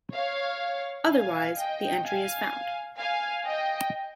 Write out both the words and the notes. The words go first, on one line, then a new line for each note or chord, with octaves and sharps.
Otherwise, the entry is found.
C#5 F5
F5 G#5
D#5 G5
F5 G#5
F5 G#5
D#5 G5